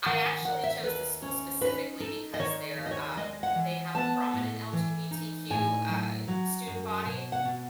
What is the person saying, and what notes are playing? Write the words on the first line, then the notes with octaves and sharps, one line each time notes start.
I actually chose this school specifically because they're, um they have a prominent LGBTQ, uh, student body,
D#3 F#5
G#5
D#3 F#5
E5
D#2 B4
C#4
D#4 B4
D#4 A4
D#5
D#3 C#5
D#2
D#5
C#5
G#3 D#5
F#5
E3
B3 A5
A2
E3
D#4
A2 G#5
F#3
F#3
F#2
B2
F#5
B2